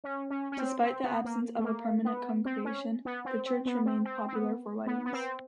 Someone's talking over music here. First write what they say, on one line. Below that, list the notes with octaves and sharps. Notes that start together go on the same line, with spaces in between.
Despite the absence of a permanent congregation, the church remained popular for weddings.
C#4
C#4
C#4
C4
C4
B3
A#3
A3
A#3
B3
C4
C#4
B3
C4
C4
B3
C4
C4
C4
B3
B3
B3
C4